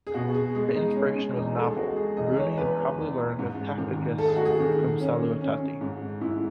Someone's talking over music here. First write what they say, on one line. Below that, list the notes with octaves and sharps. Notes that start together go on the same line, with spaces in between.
The inspiration was novel-Bruni had probably learned of Tacitus from Salutati.
G#4
B2 F#4
G#4
G#3 G#4
D#4
G#3 C#4
E2 D#4
A4
G#4
G#3 F#4
G#4
E2 D#5
C#5
E2 B4
E2
G#2
D#3
A3 A4
G#4
F#4
G#4
D#3
C#4
C#4
G#2
G#2 E4